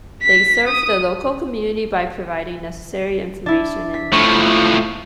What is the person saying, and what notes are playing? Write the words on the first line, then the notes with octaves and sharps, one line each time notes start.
They serve the local community by providing necessary information and entertainment.
B6
D#6
D4 E4
B6
A2 F3 C#6